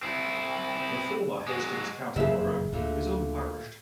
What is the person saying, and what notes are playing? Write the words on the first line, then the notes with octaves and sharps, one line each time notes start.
The former Hastings County Borough is unparished.
C4 E4
G#3 F#4
F#1 F2 A#2 C#3 E3 G#4 E5
D2 A#2 A3